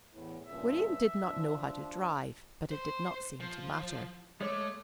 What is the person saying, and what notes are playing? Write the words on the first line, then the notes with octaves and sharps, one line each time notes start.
William did not know how to drive, but it did not seem to matter.
E2 A2
G2 A#2 C#3 E5
F3 D4
C5
F3
G#3 A3 C#5 D6